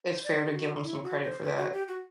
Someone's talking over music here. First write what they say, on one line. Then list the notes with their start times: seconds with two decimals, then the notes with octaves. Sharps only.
it's fair to give 'em some credit for that.
0.10 C5
0.24 D5
0.45 G4
0.53 F#4
0.83 E4
1.03 F#4
1.23 C5
1.43 B4
1.58 F#4
1.73 G4
1.88 F#4